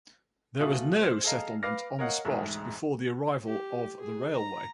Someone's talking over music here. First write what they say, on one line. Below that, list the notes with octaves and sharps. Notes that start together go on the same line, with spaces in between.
There was no settlement on the spot before the arrival of the railway.
D#1 B2 A3 F4 D#6 F#7
C5 F6 E7
G#4 A4 D#5 F5 A#5
B4 F5 D6 F6 A#6
A#4 C#5 D#5 F5 F#5
E1 G#2 G#3 A3 E5
G4
G#4
A#5